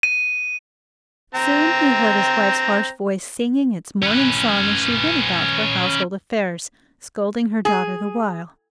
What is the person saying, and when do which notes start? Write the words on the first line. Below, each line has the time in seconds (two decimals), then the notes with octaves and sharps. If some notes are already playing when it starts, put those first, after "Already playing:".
Soon he heard his wife's harsh voice singing its morning song as she went about her household affairs, scolding her daughter the while.
0.03 D#7
1.35 C4 G5 A#5
4.03 C#4 B4
7.65 G#4